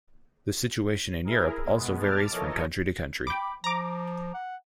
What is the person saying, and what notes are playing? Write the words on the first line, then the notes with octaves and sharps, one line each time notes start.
The situation in Europe also varies from country to country.
E4 G#4 A#4
B2 G#3 B3
A5 D6 F6 A6
E3 F3 A4 A#4 C#5 D#5
G5 B5 D6
F3 A#5 D6
F#5